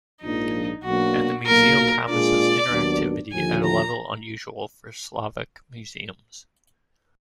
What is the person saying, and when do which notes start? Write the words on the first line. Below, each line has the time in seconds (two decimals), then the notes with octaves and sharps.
And the museum promises interactivity at a level unusual for Slovak museums.
0.22 A#1 G#2 F3 A#3 D4 D#4
0.84 B1 B2 F#3 A#3 D4 F#4
1.46 B1 A#2 F#3 A#3 A#4
2.09 A#2 G#3 D4 F4 G#4 D5
2.70 D#2 D#3 F#3 B3 D4
3.33 D#2 D3 F3 G#5
3.64 A#5